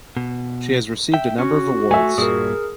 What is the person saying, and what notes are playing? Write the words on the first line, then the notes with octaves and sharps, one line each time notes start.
She has received a number of awards.
B2
E5 G5
C#4 F#4
A3 E5 G#5
G2 A#2 G#4 A#4